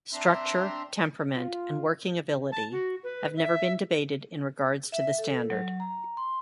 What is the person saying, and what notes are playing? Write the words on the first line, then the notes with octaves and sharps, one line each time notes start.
Structure, temperament and working ability have never been debated in regards to the standard.
C4 D4 E5 A#5 C6
F4
A5
F#4
B4
E5
E5
A4
F#3
A#5
C6